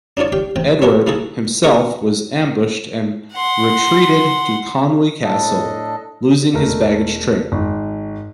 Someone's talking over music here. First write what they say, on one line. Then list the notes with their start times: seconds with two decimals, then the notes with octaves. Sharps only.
Edward himself was ambushed and retreated to Conwy Castle, losing his baggage train.
0.17 D4 D#4 F4 C#5 D5
0.32 G4 F5 G5
0.56 A1 C3 G5
0.82 F#4 G4 A#4 B4 C#5 E5
1.07 D#3 A#3 E4 F#4 G#4 A4
1.64 A#3 F#4 G#4 A#4 F#5 C#6
3.34 F#5 C6
5.21 A2 D4 A4 D#5
6.54 E1 A3 A#4
7.52 G#1